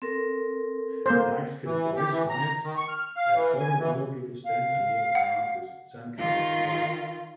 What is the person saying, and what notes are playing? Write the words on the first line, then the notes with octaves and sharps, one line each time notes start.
A darkskinned boy smiles as several other people stand and kneel around his sandcovered body.
C4 A4 A#4
A#3 C5
E3
G4
E3
A#5
D#3
C#6
F6
F5
E3
G#5
E3
F5
F#5
D#3 F4